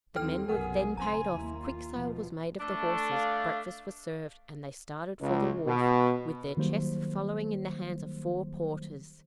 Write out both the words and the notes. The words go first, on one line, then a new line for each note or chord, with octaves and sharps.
The men were then paid off; quick sale was made of the horses; breakfast was served, and they started for the wharf, with their chests following in the hands of four porters.
D#2 F#3 C4 D#4 A4 G5 F6
B1 F#2 C3 G#4 A#4 F#5
C#3 C4 G#5 A#5 C6
D#2 A#3 E4
F4
B2 F3
A3 D4
F5
C#2
B2
D#3 F#3 G3 A#3 C5